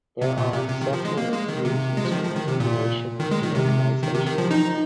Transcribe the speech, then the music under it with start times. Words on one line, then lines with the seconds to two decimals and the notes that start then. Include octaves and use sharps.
There are several reasons for the creation of the organization.
0.21 C3
0.38 A#2
0.53 C3
0.69 C3
0.81 D#3
0.93 F3
1.05 G#3
1.18 A#3
1.33 G#3
1.48 D#3
1.65 C3
1.97 G#3
2.05 F3
2.12 D#3
2.24 F3
2.36 D#3
2.48 C3
2.60 A#2
3.20 D#3
3.31 G#3
3.43 D#3
3.55 C3
4.03 D#3
4.15 C3
4.26 D#3
4.38 F3
4.51 D#4